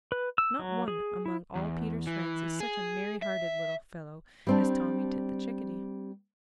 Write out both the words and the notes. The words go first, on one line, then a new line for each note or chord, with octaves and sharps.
Not one among all Peter's friends is such a merry-hearted little fellow as Tommy Tit the Chickadee.
B4
E6
F#3
G#4
E4
E2
E3
G#4
E5
G3 C4 D4